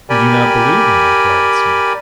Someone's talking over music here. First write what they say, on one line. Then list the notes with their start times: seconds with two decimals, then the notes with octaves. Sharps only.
"You do not believe me?" inquired Smith.
0.10 G4 A#4 D5 G5 G#5 B5